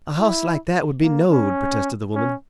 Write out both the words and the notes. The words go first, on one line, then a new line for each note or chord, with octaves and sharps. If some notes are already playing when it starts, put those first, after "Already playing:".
"A hoss like that would be knowed," protested the woman.
E4
A#3
C#4
C#4